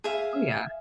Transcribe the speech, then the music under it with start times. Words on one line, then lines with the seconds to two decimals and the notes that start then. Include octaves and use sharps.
Oh yeah.
0.04 G#4 E5 F5